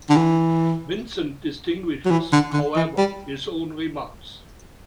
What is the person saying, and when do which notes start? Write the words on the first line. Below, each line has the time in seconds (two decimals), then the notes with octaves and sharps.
Vincent distinguishes, however, his own remarks.
0.10 D3
0.16 E3
2.05 F#3
2.11 E3
2.32 D3
2.53 D3
2.76 E3
2.98 G3